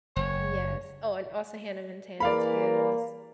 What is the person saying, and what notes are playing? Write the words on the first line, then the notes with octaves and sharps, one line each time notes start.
Yes, oh, and also Hannah Montana, too is
F#1 C#5
E3 A#3 G#4 A#4 D5 F5 B5